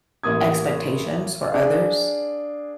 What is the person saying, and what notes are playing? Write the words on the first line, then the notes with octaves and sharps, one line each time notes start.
expectations for others,
A1 A2 A#3 D#6 G#6
D4 G#4 F5